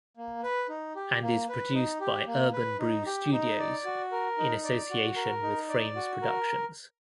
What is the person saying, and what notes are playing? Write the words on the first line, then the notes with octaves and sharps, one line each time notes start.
And is produced by Urban Brew Studios in association with Frames Productions.
A#3
B4
D#4
G4
A#3
B4
D#4
G4
A#3
B4
D#4
G4
D#4
D5
F#4
A#4
D#4
D5
F#4
A#4
D#4
D5
F#4
A#4